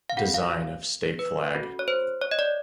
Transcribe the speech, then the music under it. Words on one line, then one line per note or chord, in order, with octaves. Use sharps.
Design of state flag.
F5
C#4 F#4 A4 F#5
F5
B4
C#4 F#4 A4
C#5
C5
C#5
D#5
D5